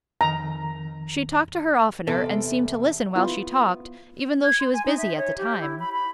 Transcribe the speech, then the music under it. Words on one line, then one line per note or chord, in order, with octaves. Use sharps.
She talked to her oftener, and seemed to listen while she talked, even though she was busy at the time.
F2 D#3 A#5
E2 C3 A4
B3 E4 F4
G#6
C6
G#5
D#4
E5
C#5
G4
E4
B5
B5